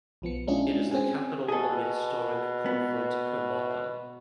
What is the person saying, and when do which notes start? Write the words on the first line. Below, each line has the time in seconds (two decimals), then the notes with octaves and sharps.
It is the capital of the historical Conflent comarca.
0.22 B1 F3 B3 C#7
0.47 G#3 C#4 D4 E4 F4 G#4
0.91 C4 C#4 G#4 G#5
1.48 B2 G#4 A4
2.66 B3